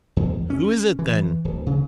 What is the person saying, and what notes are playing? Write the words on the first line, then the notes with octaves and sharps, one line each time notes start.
"Who is it then?"
E2
C#4
E3
D1
C#3